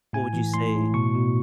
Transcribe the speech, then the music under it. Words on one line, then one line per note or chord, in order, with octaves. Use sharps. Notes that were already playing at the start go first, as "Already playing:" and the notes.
What would you say
A2 G#5
E3
A2 C6
A2
B2 C#6
B2